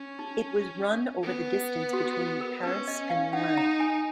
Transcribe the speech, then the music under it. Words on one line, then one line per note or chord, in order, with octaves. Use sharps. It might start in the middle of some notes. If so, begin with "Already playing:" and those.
It was run over the distance between Paris and Rouen.
Already playing: C#4
D#4
B3
F#4
A#4
C#4 B4
D#5
F5
D#4 F#5
A#5
G#5